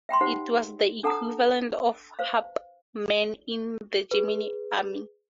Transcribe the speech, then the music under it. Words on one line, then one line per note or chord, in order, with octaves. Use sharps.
It was the equivalent of a "Hauptmann" in the German army.
E5 G5 B5 C6
D#4 G4 C5 F#5
D4 A4 F#5 A5 A#5 D#6
B4 C5 F5
G#4 B4